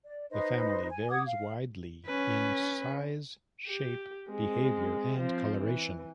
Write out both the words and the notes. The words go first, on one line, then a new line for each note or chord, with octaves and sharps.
The family varies widely in size, shape, behavior and coloration.
D5
D#4 B4 C5 D#5
G#5
F#5 D6 D#6 G#6
F5
C#4 B4
G4
G#3 C4
F3 C4
E3